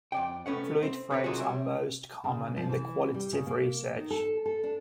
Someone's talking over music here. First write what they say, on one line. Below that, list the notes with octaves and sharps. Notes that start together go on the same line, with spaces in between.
Fluid frames are most common in the qualitative research.
F2 D5 G5
C2 A3 B3 C#4 F#5
C4
D3 B4 C#5
C3 D#3 F#3 F4 F#4 G#4
G3 C#5 E5
C#3
F3
E3
G3
C#3
A#3
D#3
A4
A4
D4